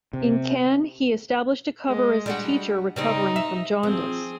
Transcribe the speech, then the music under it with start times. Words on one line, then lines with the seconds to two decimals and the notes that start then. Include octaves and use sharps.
In Cannes he established a cover as a teacher recovering from jaundice.
0.13 C3
1.88 G#3
2.26 G3 D4 F#4
2.96 C#3 G3 C4 D#4
3.36 E5
3.83 F3 C4 G#4